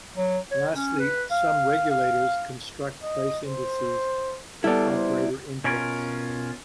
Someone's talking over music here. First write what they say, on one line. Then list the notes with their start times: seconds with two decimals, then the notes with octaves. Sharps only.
Lastly, some regulators construct price indices of operator inputs.
0.15 F#3
0.51 C#5
0.74 C#4
0.99 B4
1.31 F5
1.91 F5
3.03 D#5
3.46 C5
4.64 G3 B3 E4 A4 D5
4.95 C5
5.64 B2 C#4 F4 A#4